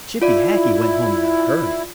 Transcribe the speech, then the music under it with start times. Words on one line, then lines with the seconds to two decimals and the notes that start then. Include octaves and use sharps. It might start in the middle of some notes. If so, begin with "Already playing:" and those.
Chippy Hackee went home in a hurry!
0.22 E4 F4 D5